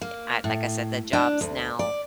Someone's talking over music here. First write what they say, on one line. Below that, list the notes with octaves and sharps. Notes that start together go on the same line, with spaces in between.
I like I said, the jobs now
A#3
A2
D4
D2
D5